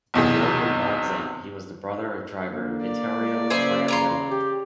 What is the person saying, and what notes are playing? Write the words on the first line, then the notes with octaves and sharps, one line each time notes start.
Born in Monza, he was the brother of driver Vittorio Brambilla.
B1 E2 C3 G#4
D3 A#3
D5
G#3
C#3 G#4 C5 E5
C#5 A#5 C6
G4